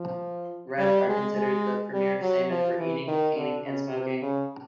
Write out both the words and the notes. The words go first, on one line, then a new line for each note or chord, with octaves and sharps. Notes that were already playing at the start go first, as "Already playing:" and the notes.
Reds are considered the premier salmon for eating, canning, and smoking.
Already playing: F3
G3
G#3
G#3
G3
F#3
F3
E3
D#3
D3
C#3
C3
C#3